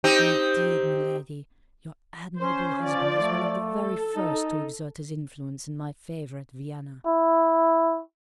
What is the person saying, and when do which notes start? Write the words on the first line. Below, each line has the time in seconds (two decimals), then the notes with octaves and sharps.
'Indeed, miladi, your admirable husband was one of the very first to exert his influence in my favour at Vienna.
0.04 C4 D#4 G4
2.38 C#4 C5
2.80 F3 D5
3.17 A3
3.64 A4
4.14 D#4
7.06 E4